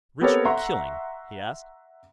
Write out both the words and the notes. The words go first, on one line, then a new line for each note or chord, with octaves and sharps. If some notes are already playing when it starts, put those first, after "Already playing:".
"Ritual killing?" he asked.
B3 C4 G4 A4 A#4 C#5
E5 F#5 A#5 C6 C#6